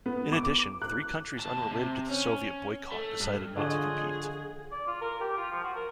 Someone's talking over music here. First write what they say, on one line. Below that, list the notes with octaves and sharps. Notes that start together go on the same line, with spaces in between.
In addition, three countries unrelated to the Soviet boycott decided not to compete.
B3
D6
F#6
D#2 A5
C3
C#4
A3
G2
D3 F4 G#4 C#5 D#5
D5
F4
A#4
G4
F4
F3
F#4
A#4